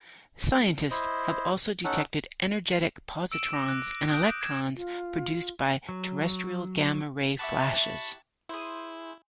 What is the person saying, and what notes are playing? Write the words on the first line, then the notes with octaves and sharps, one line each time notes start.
Scientists have also detected energetic positrons and electrons produced by terrestrial gamma-ray flashes.
E4 C5 D#5
C#4 D#4 A4 F#5
E6 D7 E7
D6 A#6 E7
F#6
D#6 G6 D7
G#6 E7
F4
F#3
E4 G4 F#5 A5 B5 C#6
E4 G#4 C5